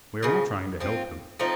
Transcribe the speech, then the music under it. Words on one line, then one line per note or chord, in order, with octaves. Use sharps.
We are all trying to help him.
C#3 F3 C4
F3 C4 F4
F3 A3 C4 D#4